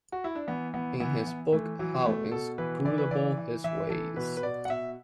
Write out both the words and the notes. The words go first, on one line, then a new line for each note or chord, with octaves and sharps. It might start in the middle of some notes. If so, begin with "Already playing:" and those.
In his book How Inscrutable His Ways!
F#4
E4
D4
E3 B3
E3 B3
E3 B3
E3
E3 A3
E3 F#3
B2 A3
B2 A4
E3 B4
E3 D5
B4
E3 D5
E3
E3 E5
E3 A4
B2 B4
B4
B2 D5
F#5
B2 E5